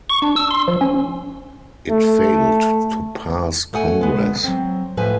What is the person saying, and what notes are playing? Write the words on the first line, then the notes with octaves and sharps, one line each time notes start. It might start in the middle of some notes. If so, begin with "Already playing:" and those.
It failed to pass Congress.
C#6
D4
E6
C6
F3
C#4
A3
A3 A4 F#5 G#5
G#3 B3
F#3 C4
A2 F3 B4 E5 G#5